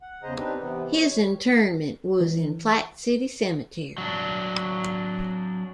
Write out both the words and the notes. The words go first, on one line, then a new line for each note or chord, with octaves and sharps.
His interment was in Platte City Cemetery.
F#5
E2 C#3 G#4 C5 D#5 A#5
C4 D4 D#4 G4 B4
C3 E3 B3
C#5
E3
F#3 D4